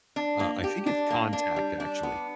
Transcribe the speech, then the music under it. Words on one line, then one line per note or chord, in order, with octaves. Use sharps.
Uh, I think it's Contact actually,
D4
A#3
G4
D4
A#3
D4
G3
D4
B3